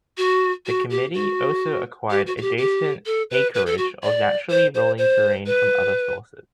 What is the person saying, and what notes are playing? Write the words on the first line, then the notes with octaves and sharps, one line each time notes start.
The committee also acquired adjacent acreage of naturally rolling terrain from other sources.
F#4
F#4
G4
F#4
G4
F#4
F#4
G4
G4
A4
B4
B4
A4
F#4
D5
C5
C5
C5
B4